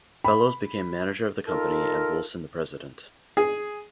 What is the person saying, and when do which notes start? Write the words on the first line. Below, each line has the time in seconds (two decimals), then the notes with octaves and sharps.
Fellows became manager of the company and Woolson the president.
0.24 B5
1.47 D#4 F4 A4 A#4
3.37 G#4